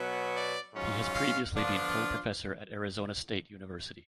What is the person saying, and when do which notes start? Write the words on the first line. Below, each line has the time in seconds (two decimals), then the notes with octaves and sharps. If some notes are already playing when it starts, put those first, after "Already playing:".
He has previously been full professor at Arizona State University.
Already playing: B2 F#3 B3
0.33 D5
0.73 G#2 F#3 C#4 F4
1.14 F5
1.54 D3 F3 B3 D4 F4